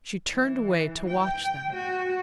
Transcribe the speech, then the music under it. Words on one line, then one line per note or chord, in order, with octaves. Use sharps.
She turned away to watch them.
E3
G5
F#4